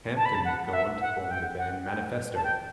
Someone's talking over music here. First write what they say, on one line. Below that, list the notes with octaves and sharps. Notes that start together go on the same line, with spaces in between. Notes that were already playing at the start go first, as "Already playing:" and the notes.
Hampton would go on to form the band Manifesto.
A5
B5
A5
F#5
F#5
E5
F#5
F#5
G5
F#5
G5
A5
G5